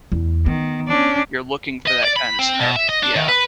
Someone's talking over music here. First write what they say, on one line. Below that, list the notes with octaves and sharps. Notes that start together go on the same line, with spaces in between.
you're looking for that kinda stuff. Yeah.
E2
D#3 B3
C#4 D4
D#5
D5
B5
C4
B2
E5
D#5
D4
D#3
B4